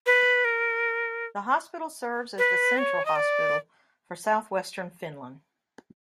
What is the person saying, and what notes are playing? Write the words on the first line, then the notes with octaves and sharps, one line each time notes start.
The hospital serves as the central hospital for southwestern Finland.
B4
A#4
B4
C#5
D#5
D5